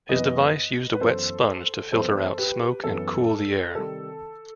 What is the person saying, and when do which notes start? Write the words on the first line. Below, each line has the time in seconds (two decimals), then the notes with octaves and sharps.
His device used a wet sponge to filter out smoke and cool the air.
0.09 F#2 E3 B3 B4 D#5
0.93 B4
1.00 F#2 E3 B3 A4 C5
1.92 F#2 E3 B3 A4 C5
2.38 G4 B4
2.84 F#2 E3 B3 A4
3.75 C3 D#3 G3 A4